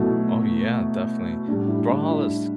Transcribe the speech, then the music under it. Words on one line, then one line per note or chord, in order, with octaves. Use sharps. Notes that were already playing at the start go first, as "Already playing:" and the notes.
Oh yeah, definitely. Brawlhalla is
Already playing: B2 F#3 A3 E4
A2 G3 D4
E4
D4
E4